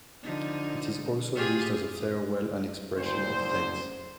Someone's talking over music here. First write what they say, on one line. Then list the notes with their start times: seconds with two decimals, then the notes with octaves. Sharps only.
It is also used as a farewell and expression of thanks.
0.23 D3 F3 D#4
1.35 F4 G4 G#4
2.96 F#1 D2 C5